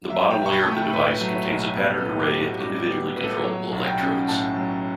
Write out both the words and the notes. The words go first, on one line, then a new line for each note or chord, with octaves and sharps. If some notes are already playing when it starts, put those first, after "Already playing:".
The bottom layer of the device contains a patterned array of individually controllable electrodes.
F#3 E5
G5
B1
C#6
B5
A3 A5
G5
A4
A2 B4
F#3
C#5
B1
B3 B4
A4
A2
G4
A2
F#4
G3 F#4
B3 G4
A2 B4
A4
B4
F#3 C#5
B1
F#5
G5
C#4
A2 A5
F#3